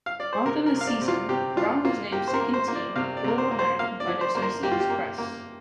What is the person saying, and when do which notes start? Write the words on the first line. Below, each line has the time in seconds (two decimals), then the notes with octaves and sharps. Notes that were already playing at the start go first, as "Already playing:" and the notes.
After the season, Brown was named Second-Team All-American by the Associated Press.
0.06 F5
0.20 D5
0.33 C5
0.45 C3 A#4
0.66 A#4
0.74 C3
0.81 F5
0.87 D5
1.01 C3
1.08 F4
1.29 C3 G4
1.57 D4 F4
1.85 A#3 F4
2.12 A#3 G4
2.27 C5
2.34 A#4
2.40 A#3
2.54 C5
2.68 A#3
2.75 D5
2.96 C3 F5
3.17 D5
3.24 C3 A#4
3.38 C5
3.51 A#3
3.59 C5
3.79 A#3 F5
4.00 D5
4.07 F3
4.21 C5
4.35 A#3 C5
4.42 A#4
4.63 A#3 G4
4.72 F4
4.80 G4
4.90 A#3
5.18 A#3